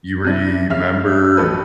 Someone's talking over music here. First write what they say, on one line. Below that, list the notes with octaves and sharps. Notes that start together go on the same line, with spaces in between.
you remember,
C3 D4 E4
C#3 E5 F5 F6
A1 A4 B4